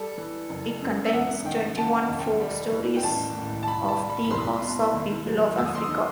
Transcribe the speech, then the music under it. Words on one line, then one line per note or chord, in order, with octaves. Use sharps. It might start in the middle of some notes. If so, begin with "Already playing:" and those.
It contains twenty-one folk-stories of the Hausa people of Africa.
Already playing: G3 A4
E3
F#1
F#2
E5
E1 F#5
D#3 G5
E1 A5
D#2
G5
G3
E3
G5
A1 A5
A2
A5
C2 B5
A5
G3
B5
B5
C2 C6
B2
D#2
F#3
D#2 E6
D#6
C6
D#6
D#3